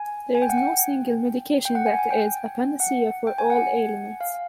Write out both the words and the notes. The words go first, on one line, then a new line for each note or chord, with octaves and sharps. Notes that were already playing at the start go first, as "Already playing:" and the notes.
There is no single Medication that is a Panacea for all ailments.
Already playing: G#5
G#5
G5
F#5
G5
G5
F#5
G#5
G#5
G5
F#5
G5
G#5
F#5
F5